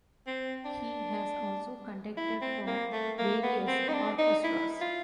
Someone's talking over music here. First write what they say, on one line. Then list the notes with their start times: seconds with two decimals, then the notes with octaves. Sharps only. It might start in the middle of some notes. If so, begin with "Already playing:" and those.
He has also conducted for various orchestras.
0.27 C4
0.65 D4
2.17 E4
2.41 C4
2.67 A#3
2.93 A3
3.18 A#3
3.43 B3
3.67 C4
3.88 D#4
3.93 D4
4.18 D#4
4.44 E4
4.81 F4